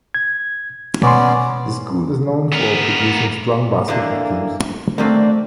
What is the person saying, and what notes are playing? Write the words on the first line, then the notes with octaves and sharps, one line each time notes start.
The school is known for producing strong basketball teams.
G#6
B2 B3 C#4 D5 C6
B3 A#4
D3 E3 A#3
D2 A3 A#3 C4 D4